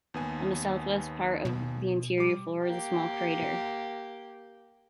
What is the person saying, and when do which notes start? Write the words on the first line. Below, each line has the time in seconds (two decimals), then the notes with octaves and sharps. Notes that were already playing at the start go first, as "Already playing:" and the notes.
On the southwest part of the interior floor is a small crater.
0.14 D#2 B3 G#5
1.45 B2
2.18 G3 D6
2.63 A#3 G4